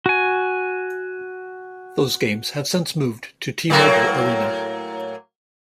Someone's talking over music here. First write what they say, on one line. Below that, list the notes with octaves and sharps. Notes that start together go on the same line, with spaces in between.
Those games have since moved to T-Mobile Arena.
F#4 G#5
A2 F#3 A#3